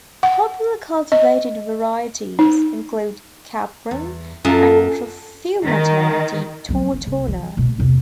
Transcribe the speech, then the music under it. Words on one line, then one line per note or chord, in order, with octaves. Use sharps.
Popular cultivated varieties include 'Capron' and 'Profumata di Tortona'.
F#5
D#5
D#4
E2
F#2 F4 A4
D#3
F#3 B3
D#3
C2 C#3
E3
B2 A3
E2 C3